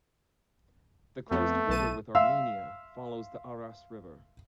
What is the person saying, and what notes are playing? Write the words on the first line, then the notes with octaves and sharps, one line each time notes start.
The closed border with Armenia follows the Aras River.
F2 A3 B3
B1 A5 D#7
E5 F5 C6 E6